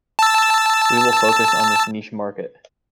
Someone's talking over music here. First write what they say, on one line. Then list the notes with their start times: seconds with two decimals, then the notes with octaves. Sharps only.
We will focus on this niche market.
0.19 A5 E6